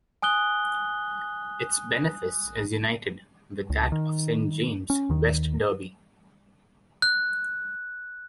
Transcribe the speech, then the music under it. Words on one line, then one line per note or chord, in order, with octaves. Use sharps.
Its benefice is united with that of Saint James, West Derby.
G#5 D#6 F#6 G7
C#2
D#3
C#4
D#2 D#3
F#6